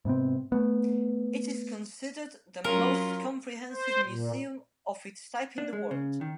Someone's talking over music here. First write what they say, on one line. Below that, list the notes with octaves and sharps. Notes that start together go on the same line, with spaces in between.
It is considered the most comprehensive museum of its type in the world.
G#2 C3 B3 C4
A3 B3
F#3 C#4 F4 A#4
C5
A#2
D4
G#3
C#3
D#3